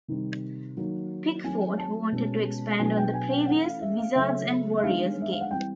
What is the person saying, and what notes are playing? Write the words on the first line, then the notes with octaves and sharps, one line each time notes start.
Pickford wanted to expand on the previous "Wizards and Warriors" game.
C3 D#3 G3 C4
D#3 F#3 A#3
D#3 F#3 A3 C4 G#5
A5
B2 G#3 C#4
B2 F#3 B3 D4 G#5
G5
G#5
G5
G5
E3 A3 C#4 F#5
F5
E5
F5
C#3 F#3 A3 E5
E5
D#3 G#3 B3 D4 F5
E5
F5
F#5
E3 G3 C4 G5